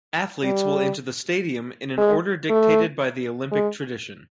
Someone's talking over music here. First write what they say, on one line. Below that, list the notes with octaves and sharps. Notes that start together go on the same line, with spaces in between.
Athletes will enter the stadium in an order dictated by the Olympic tradition.
G3
G#3
A3
G#3